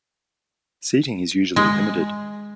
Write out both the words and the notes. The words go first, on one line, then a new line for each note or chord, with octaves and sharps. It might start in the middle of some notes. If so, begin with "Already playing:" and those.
Seating is usually limited.
G#3